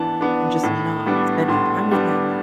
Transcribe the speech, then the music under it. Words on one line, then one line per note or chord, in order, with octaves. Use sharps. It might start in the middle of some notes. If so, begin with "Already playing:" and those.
and just not spending time with him,
Already playing: E3 B3 D4 F#5 A5
B3 D4
A2
G3 B3 D4
A2 C6
G3 B3 D4